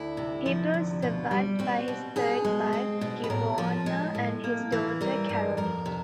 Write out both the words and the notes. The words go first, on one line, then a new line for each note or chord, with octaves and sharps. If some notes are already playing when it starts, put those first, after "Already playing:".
He was survived by his third wife Giovanna, and his daughter Caroline.
Already playing: D2 E4
C3
F3
D2
B2 F4
G3
C4 F#4
B2
B2 G#4
G#3
C4
B2
B4
A2 A#4
F3
G#3
A2
A#3
E3
G3 A#4
G2
F2 A#4
C3